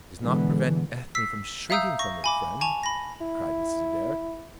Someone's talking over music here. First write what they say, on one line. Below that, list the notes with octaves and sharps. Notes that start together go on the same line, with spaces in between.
"It does not prevent Ethne from shrinking from her friend," cried Mrs. Adair.
B2 D3 E3 G#3 B3
E6 B6 C7
E5 F5 A#5 D#6 E6 G6
C#6 A#6
G#5 B5 D6
G#5 A5 C#6 F7
B5 A#6
E4